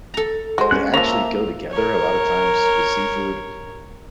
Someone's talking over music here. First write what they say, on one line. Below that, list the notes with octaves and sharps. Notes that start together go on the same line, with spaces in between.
they actually go together a lotta times with seafood.
A4 A#5
G#3 F#4 C5
C#4 F#6
F3 A#3 C#4 E5 A#5
A#4 C#5